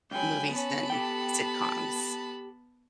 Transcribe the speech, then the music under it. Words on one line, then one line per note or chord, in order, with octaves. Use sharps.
movies and sitcoms.
C#2 F#2 F#3 G5 G#5 B5
B3 C#4 A5 B5
G4 A4 G5